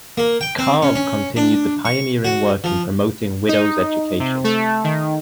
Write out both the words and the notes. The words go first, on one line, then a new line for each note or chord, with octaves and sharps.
Karve continued the pioneering work in promoting widows' education.
A#3
G5
C4
C#4
C#4
D4
C#6
F#4
F3
D#4
C3
A3
D#3